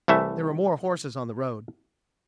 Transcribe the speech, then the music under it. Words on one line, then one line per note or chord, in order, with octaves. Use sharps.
There were more horses on the road.
C2 E3 A3 E5